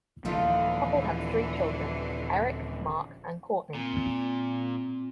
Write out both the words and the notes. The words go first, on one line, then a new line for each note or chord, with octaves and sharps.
The couple had three children, Eric, Mark and Courtney.
D#1 D3 E3 F3 A#3 D#4 F4 A4
A#2 C4